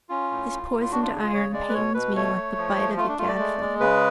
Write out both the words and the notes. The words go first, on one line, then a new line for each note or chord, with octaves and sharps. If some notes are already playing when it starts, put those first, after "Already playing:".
This poisoned iron pains me like the bite of a gad-fly.
C#4 F4
A2
A2
A2
F4
D4 F#4
F4
C#3
F4
C#3 C#5
G#3 D5
B4
B2 C#5
B2 B4
A3 C#5
A3
F3
A3
A3 F4
D4
A3 F4
D5
G#3
G#3
C#3 B4